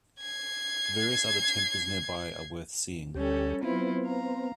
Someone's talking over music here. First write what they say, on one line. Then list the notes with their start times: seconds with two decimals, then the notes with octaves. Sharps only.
Various other temples nearby are worth seeing.
0.21 G#6 C7
3.14 D2 G3 C#4 G4 A4
3.63 F#3 B3 C4 E4 F4
4.04 F5 A#5